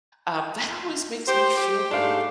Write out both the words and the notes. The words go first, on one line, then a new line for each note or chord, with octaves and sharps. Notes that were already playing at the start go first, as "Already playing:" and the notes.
Um, that always makes me feel good.
G4 C5
G4
G#2 A3 D4 G4 F5